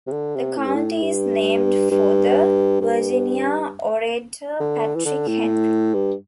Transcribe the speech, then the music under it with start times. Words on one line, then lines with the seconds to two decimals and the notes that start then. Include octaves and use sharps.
The county is named for the Virginia orator Patrick Henry.
0.07 C3
0.12 D3
0.35 C3
0.58 A2
0.66 G2
0.75 A2
1.02 G2
1.91 G2
2.81 G2
4.60 D3
4.95 E3
5.05 D3
5.28 A2
5.94 G2